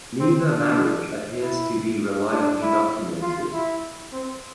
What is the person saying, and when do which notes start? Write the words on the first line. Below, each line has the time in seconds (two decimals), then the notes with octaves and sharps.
Neither marriage appears to be reliably documented.
0.20 C4
0.50 D4
1.41 E4
2.32 D4
2.61 E4
3.22 F4
3.52 E4
4.13 C4